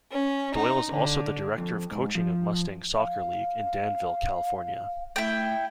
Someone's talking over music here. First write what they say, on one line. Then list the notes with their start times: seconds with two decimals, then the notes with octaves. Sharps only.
Doyle is also the Director of Coaching of Mustang Soccer League, in Danville, California.
0.12 C#4
0.54 D#4
0.90 D3
1.58 F2
1.91 G#2
2.15 F3
2.96 F5
5.16 A3 E4 G5